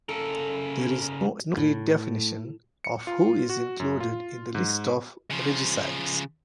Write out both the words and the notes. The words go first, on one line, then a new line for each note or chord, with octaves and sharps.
There is no agreed definition of who is included in the list of regicides.
C#3 A4 A#4
A2
C#7
F4
F#4
F#2
F4
G#2
C#3 F3